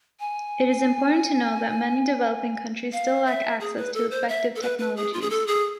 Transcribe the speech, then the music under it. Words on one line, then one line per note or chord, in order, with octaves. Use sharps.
It is important to note that many developing countries still lack access to effective technologies.
G#5
F5
E5
G#4
B4
A4
C5
E5
A4
B4
B4
G#4
F4
G#4
A4
G#4